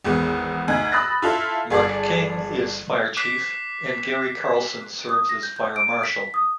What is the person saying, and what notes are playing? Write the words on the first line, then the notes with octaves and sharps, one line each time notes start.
Mark King is Fire Chief and Gary Carlson serves as Fire Marshal.
G#1 E2 G#3 B3
D2 D#4 G#5
B5 D#6 E6 F#6 A6 A#6
E4 F4 A4 E5
G1 G#4 A4 D5
D6 F#6 B6 C7
D#6
A#6
G6
G6
D7
B6
D#6